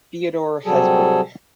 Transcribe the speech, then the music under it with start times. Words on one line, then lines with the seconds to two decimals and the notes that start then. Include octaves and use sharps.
Theodore Hesburgh.
0.65 C3 F#3 G3 G#4 A4